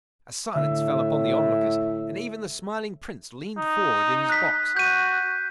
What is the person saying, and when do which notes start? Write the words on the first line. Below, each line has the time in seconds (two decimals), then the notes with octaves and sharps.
A silence fell upon the onlookers, and even the smiling Prince leaned forward in his box.
0.56 A2 D3 E5
3.58 D#4
4.29 F#6 B6
4.77 F#4 G6 D#7